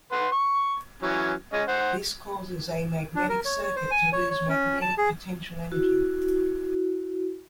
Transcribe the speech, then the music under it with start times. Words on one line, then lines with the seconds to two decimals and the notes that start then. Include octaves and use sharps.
This causes a magnetic circuit to lose magnetic potential energy.
0.12 B4 F#5 C6
0.32 C#6
1.02 E3 F#3 C#4
1.53 G#3 C#4 D#5
1.68 C5 F#5
3.15 D4
3.29 A#4
3.45 C#5
3.63 C#5
3.76 C5
3.91 G#5
4.13 C#5
4.30 C#5
4.49 C#4
4.82 A5
4.98 G#4
5.71 E4 F#4